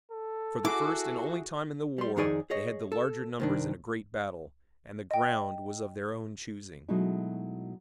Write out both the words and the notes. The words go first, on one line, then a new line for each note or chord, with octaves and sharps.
For the first and only time in the war they had the larger numbers in a great battle, and the ground was of their own choosing.
A4
E4 F#4 G#4 D6
G3 C6
F2 D#3 D#4 G#4 D5 G#5
G#4 C#5 D#5
A4
C2 D#3 D4
D#5 G5
B2 F#3 G#3 A3 D#4 E4